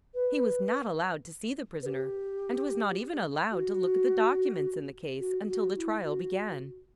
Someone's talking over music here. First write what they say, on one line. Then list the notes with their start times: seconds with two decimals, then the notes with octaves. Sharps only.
He was not allowed to see the prisoner--and was not even allowed to look at the documents in the case until the trial began.
0.14 B4
1.82 B4
1.86 G4
3.51 F#4
5.19 F#4
5.48 F#4
5.76 E4
6.03 F#4